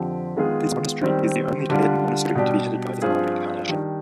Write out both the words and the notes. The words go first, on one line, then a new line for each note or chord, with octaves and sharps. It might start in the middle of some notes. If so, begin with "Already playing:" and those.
This monastery is the only Tibetan monastery to be headed by a female re-incarnation.
Already playing: F2 D3 F3 C4 G4
D#3 G#3 B3 F4 G#4
D#3 G3 C4
D3 G3 D4 F4
B2 G3 D4 G4
G2 F3 C4 F4 G#4
D#3 G3 D4